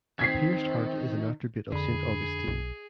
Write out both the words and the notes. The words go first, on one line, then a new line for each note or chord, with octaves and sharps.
A pierced heart is an attribute of Saint Augustine.
D#3 C4 G#6 B6 C7
F2 D3 D4 G#4 B5
B1